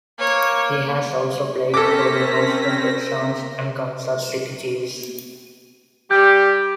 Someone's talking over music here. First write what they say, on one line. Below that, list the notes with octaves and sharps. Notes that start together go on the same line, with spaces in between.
He has also played for the Houston Texans and Kansas City Chiefs.
A#3 C#5
C4 C#4 A4 A#4 D6 A#6 B6
G3 G4 G6